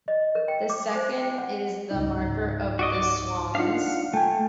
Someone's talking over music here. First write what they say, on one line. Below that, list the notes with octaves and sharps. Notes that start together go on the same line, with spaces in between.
The second is the Marker of the Swans.
D#5
A#4
G5
D6
C5
G5
F#5
C#2 G#2 D#4
F#4 D5 D#5
D6
D4 D#4 F4 F5 F#5
A3 G5 G#5